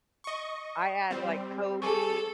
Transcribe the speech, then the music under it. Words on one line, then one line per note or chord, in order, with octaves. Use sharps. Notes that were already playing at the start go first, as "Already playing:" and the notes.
I add, like, Colby
D#5 C#6
G3 C4
G#4 A4 G#5 C#6